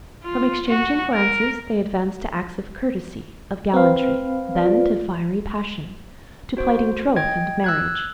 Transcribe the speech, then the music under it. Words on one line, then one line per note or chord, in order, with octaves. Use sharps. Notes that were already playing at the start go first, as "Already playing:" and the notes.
From exchanging glances, they advance to acts of courtesy, of gallantry, then to fiery passion, to plighting troth and marriage.
F4
F#4
A#4
C4 B4 F5
F4 D5
F#4 C5
D#5 G5 G#6
E6 F#6 G#6